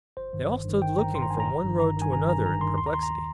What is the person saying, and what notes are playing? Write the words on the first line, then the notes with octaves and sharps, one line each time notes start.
They all stood looking from one road to another in perplexity.
G1 C5
G2 D#3
G1
G2 D#3
G1 G5
G2 D#3 A#5
G1 C6
A#5
G2 D#3 G#5
A#5
G1
G2 D#3
G1 A#5
G2 D#3 G#5
G1 A#5
G2 D#3 A#5
G1 A#5
G2 D#3 C6
D#2 C6
A#5
D#3 C6
A#5